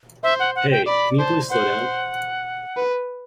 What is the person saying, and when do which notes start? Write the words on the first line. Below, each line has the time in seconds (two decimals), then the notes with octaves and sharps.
Hey, can you please slow down?
0.23 C5 E5
0.40 F#5
0.55 F#5
0.71 G5
0.86 D5 B5
1.19 C5 A5
1.50 C5 F#5
2.77 B4